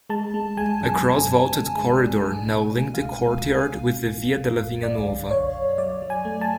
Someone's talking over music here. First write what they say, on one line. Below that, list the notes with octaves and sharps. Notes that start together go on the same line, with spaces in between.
A cross-vaulted corridor now linked the courtyard with the Via della Vigna Nuova.
G#3 A5
G#3
G#3 G#5
F#2
F#2
F#2
D3
G#3
D4
B2
A3
D4
C#2 F5
B2
C#2
B2
D3
F#2
F#2
F#2
F#2 D5
D3
F#2 C#5
F#2
F#3 D5
F#3
G#5
A3
A5